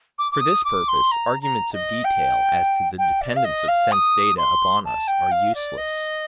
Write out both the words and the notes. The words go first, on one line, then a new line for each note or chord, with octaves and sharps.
For this purpose arguments of detail as to the dependence of sense-data upon us are useless.
D6
D6
D#6
D6
C6
A#5
A#5
D#5
G5
G5
D5
F5
D#5
F5
D#6
C6
A5
G5
F5
D5
D#5